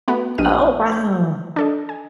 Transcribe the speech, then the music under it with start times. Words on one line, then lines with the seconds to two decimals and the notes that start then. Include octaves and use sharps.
Oh, wow.
0.08 A3 B3 F#4
0.38 A#1 D4 G4 D#5 F6 D#7
0.92 G6
1.56 D4 A4 D#5
1.89 G#5